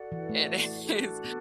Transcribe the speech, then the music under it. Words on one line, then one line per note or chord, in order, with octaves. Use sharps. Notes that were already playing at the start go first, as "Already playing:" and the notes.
it is
Already playing: F#4 A4 D5 F#5
E3
A3
D4 F#4 A4
B3